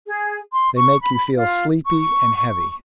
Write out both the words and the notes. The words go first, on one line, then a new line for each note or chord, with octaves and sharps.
They make you feel sleepy and heavy.
G#4
C6
C#6
B5
F4
C#6